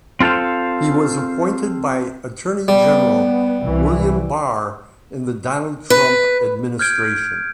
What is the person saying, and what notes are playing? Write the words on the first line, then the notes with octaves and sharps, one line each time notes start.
He was appointed by Attorney General William Barr in the Donald Trump administration.
C4 F4 A4 C5 F5
G3 B3
C2 E3
B4
F6 G6 G#6 D7